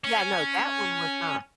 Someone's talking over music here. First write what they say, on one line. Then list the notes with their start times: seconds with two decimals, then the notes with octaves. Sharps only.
Yeah, no, that one was not,
0.04 C#4